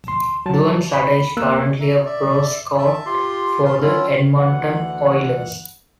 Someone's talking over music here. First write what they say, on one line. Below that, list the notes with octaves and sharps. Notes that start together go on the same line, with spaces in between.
Duane Sutter is currently a pro scout for the Edmonton Oilers.
C6
F#3 A5
B5
A#3 E6 F#6
E5 A#5
D5 E5
E5 A5
F4 G4 C6
C#4 B4 A5 C6
F#3 C#4 E4 F4
D2 E3 F#5